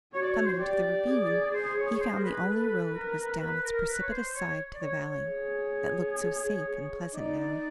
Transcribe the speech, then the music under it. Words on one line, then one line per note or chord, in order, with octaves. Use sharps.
Coming to the ravine, he found the only road was down its precipitous side to the valley, that looked so safe and pleasant now.
F#4 C#5
D5
C#5
C5
C#5
G4 D5
G#4
C5
C#5
C#5
C5
A#4
B4
A4 B4
A#4
B4
A#4
B4
C#5
C5
C#5
D5
C#5
C#5
G#4
D#4 D5